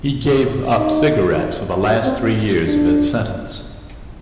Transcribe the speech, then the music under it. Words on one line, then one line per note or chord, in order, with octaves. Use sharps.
He gave up cigarettes for the last three years of his sentence.
D#4
C4
D4